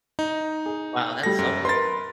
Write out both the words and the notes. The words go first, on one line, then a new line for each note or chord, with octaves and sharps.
Wow, that's something.
D#4
G#4
G3 A4 A#6
F#2
A#4 B4 C6 A6